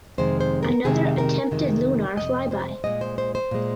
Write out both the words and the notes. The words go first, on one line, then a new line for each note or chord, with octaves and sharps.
Another attempted Lunar flyby.
F2 C3 D#3 G#3 C5
C5
A#4
F2 C3 D#3 G#3 G#4
A#4
F2 C3 D#3 G#3
F2 C3 D#3 G#3 D#5
C5
A#2 G#3 D#5
C5
C5
C5
A#2 G#3